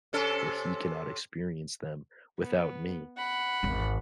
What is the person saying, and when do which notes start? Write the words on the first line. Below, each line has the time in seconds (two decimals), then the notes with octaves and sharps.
for he cannot experience them without me.
0.13 C3 C#4 A4
2.39 B3
3.17 F#5 B5
3.63 G#1 E2